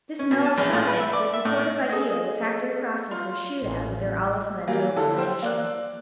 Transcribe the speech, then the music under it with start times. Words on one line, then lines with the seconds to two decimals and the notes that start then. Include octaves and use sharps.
This mellow-sharp mix is the sort of ideal the factory processors shoot at with their olive-pimiento abominations.
0.19 C#4
0.31 B2
0.45 A5
0.58 A#1
0.73 A2
0.87 B4
1.00 E5
1.13 D5
1.34 E5
1.45 A2
1.89 G#4 A4 D#5
3.11 F4
3.63 A1
4.67 E3 F#3 G3 A#3
4.96 D3 E4 A4
5.18 C5 G5 E6
5.42 A#3 D5 F#6